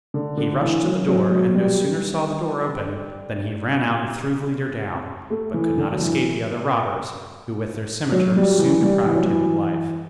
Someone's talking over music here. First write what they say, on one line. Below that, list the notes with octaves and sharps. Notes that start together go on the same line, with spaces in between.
He rushed to the door, and no sooner saw the door open, than he ran out and threw the leader down, but could not escape the other robbers, who with their cimeters soon deprived him of life.
D3
D3
E3
F#3
F#3
F#3
G3
A3
E3
D3
F#3
E3
F#3
G3
E3
G3
E3
F#3
E3